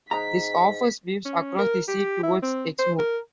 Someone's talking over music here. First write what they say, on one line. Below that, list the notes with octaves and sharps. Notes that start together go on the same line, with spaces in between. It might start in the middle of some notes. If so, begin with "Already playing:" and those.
This offers views across the sea towards Exmoor.
G#2 G#3 D#4 A#5 B6
C#4
A#4
G4
E4
C4
C5
A#4